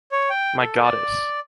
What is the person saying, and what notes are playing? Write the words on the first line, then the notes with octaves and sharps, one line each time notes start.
My goddess.
C#5
G5
A4
D5